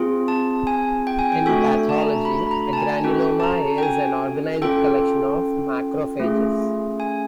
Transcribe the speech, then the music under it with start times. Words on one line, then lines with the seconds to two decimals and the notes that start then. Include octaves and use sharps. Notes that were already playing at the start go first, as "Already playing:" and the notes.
In pathology, a granuloma is an organized collection of macrophages.
Already playing: C4 F4 G#4
0.28 A5
0.67 G#5
1.07 G5
1.19 G#5
1.32 G5
1.46 A3 D4 F#4 A4 G#5
1.89 A5
1.98 A#5
2.25 B5
2.47 B5
2.51 A#5
2.73 A5
2.77 G#5
3.04 C#4 F#4 A4 G5
3.40 A5
3.44 A#5
3.78 G5
3.83 G#5
4.62 C#4 F4 A4 G5
6.20 A3 C#4 F4 G#4
7.00 G#5